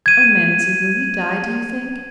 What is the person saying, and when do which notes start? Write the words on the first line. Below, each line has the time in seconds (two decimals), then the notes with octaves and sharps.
"Oh, mamsie, will he die, do you think?"
0.06 G#6 D#7